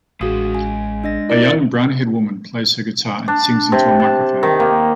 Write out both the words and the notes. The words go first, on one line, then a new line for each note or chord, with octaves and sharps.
A young brownhaired woman plays her guitar and sings into a microphone.
A1 G#3 F#4 G#4 F5 D#6
G#5
D4 D#5 A#6
E4 A#4 D5
D4
C3
A5
D#3
A#3